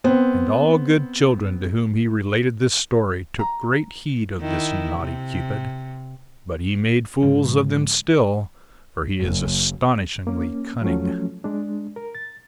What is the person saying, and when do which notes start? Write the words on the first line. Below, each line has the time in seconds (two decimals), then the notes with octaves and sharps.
And all good children to whom he related this story, took great heed of this naughty Cupid; but he made fools of them still, for he is astonishingly cunning.
0.04 B3 C4
3.39 A#5
4.41 D#3 E4
4.99 C3
7.22 G#2 D3 F3
9.20 F#1
10.27 A#3 C#4
10.82 F3 F#3 A3 C#4
11.44 G#3 D4
11.96 A#4
12.15 A6